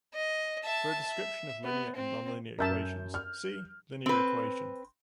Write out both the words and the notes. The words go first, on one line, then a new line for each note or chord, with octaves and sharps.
For a description of linear and nonlinear equations, see "linear equation".
D#5
E5 A5
E5
B3
C4
F#2 A#4 E5 A5 G6
F6
C4 B4